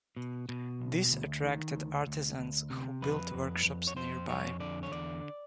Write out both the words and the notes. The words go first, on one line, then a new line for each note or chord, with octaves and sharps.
This attracted artisans who built workshops nearby.
B2
B2
B1
D2
D#3
D2
D2
D2
C3
F2 B4
F2
F2
C#5
F2 C5
F2 C#5
D3 D5
C#5
E2 D5